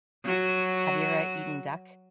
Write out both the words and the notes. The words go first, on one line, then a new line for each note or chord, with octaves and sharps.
Have you ever eaten duck?
F#3 F#4